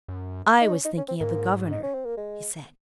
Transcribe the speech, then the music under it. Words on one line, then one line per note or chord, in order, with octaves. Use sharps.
"I was thinking of the governor," he said.
F#2
D#4
C#4
D#4
C#4
C4
G#2 A#3
D#4
C#4
C4
A#3
G#3